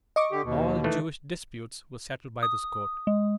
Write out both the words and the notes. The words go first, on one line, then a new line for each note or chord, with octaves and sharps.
All Jewish disputes were settled by this court.
D#5 C#6 D6
D3 G4
D#2 B2
D#3 E3 A3
D#6
G#3